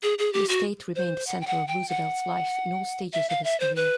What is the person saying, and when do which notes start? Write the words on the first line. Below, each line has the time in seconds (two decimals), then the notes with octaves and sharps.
The estate remained the center of Roosevelt's life in all stages of his career.
0.03 G#4
0.18 G#4
0.33 G4
0.49 F#4
0.96 C5
1.27 F#5
1.41 G5
1.47 F#5
1.68 G5
1.89 F#5
3.13 E5
3.29 F5
3.44 E5
3.60 C5
3.76 B4